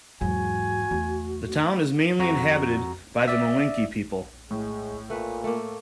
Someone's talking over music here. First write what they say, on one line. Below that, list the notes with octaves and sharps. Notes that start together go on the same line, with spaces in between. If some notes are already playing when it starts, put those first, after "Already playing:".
The town is mainly inhabited by the Malinke people.
E2 G#2 F#3 F#4 G#5
E2 A3
F2 F#4 A#5
D5 E5
A2 G#3
A#2 A3 B4
A3 A#3